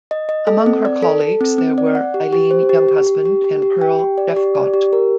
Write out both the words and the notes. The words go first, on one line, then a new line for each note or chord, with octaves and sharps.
Among her colleagues there were Eileen Younghusband and Pearl Jephcott.
D#5
D#5
A4
C4
D5
A4
A4
C4
C4
D5
F#5
G4
G4
C5
G4
G4
G4
G4
G4
G4
G5
G4
D5
G4
D5
G4
A#4